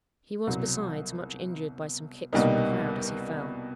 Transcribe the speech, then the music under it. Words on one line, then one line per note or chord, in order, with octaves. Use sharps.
He was, besides, much injured by some kicks from the crowd as he fell.
C2 B2 F#3
C2 B2 G3 A#3 D#4